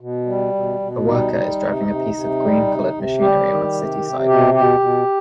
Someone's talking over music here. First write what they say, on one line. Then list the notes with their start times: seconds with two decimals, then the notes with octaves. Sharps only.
A worker is driving a piece of green colored machinery on a city sidewalk.
0.01 B2
0.26 G3
0.54 B2
0.80 B2
1.07 G3 D#4
1.34 G3
1.61 C3
1.87 C3
2.14 C3
2.41 G3
2.67 C3
2.94 C3
3.20 G3 G4
3.48 D#3
3.74 C3
4.01 C3
4.27 B2 G4
4.54 B2 G4
4.80 B2